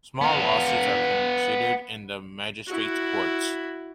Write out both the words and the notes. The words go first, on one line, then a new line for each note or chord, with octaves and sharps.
Small lawsuits are considered in the Magistrates' Courts.
B3 F5
E4 F#4